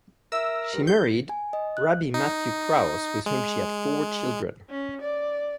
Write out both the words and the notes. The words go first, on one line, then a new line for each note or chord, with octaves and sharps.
She married Rabbi Matthew Kraus with whom she had four children.
A#4 E5 E6
G2
G6
G#5
D#5
F#6
D#4
G#3
C#4
D5